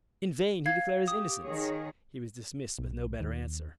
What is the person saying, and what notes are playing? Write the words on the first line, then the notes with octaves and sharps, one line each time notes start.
In vain he declared his innocence; he was dismissed with no better answer.
F5 G#6
G4 D#6
D#3 G#4 C#5
B1
D#2